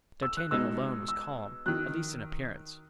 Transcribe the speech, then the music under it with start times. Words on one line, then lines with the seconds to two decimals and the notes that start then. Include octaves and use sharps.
D'Artagnan alone was calm, at least in appearance.
0.22 E6
0.37 F#6
0.51 B2 G#3 B3 D#4 E6
1.08 E6
1.66 D#3 F#3 F#6